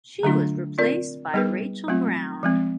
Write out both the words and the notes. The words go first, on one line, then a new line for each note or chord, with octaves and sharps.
She was replaced by Rachel Brown.
D3 F#3 A3 D4 F4
C4 F4 A#4 D5
G3 B3 D#4 G#4 B4
F#3 A3 C4 F4
F3 G#3 C4